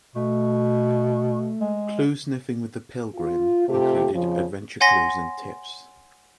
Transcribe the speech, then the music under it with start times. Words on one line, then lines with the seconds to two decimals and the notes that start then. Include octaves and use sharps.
'Clue Sniffing With The Pilgrim' included adventure clues and tips.
0.15 B2 A3
1.61 G#3
3.15 F4
3.69 C3 A3 F4 G4
4.13 F2 C#3 F3
4.80 C#5 F#5 G#5 C6 A#6 B6